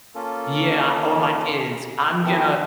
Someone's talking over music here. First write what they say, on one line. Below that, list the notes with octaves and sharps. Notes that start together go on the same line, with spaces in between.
Yeah, or my kids, I'm gonna
A#3 C#4 F4 A4
D#3 E3 B3 C4 A4